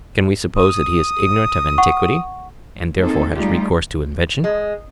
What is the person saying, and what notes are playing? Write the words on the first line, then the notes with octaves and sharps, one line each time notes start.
Can we suppose that he is ignorant of antiquity, and therefore has recourse to invention?
D#6
F#5 C#6
A#3 C4 D#4 G#4 A4
G3 A3 D#4 F4 G4 G#4
G#3